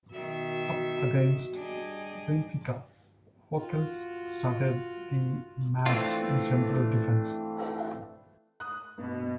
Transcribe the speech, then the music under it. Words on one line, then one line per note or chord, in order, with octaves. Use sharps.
Up against Benfica, Foulkes started the match in central defence.
B2 D#3 F#4 E5
G3 D4 G#4 D#5
F4 F#4
E3 A3 C4 D4 F4
D#6 F#6
G2 B2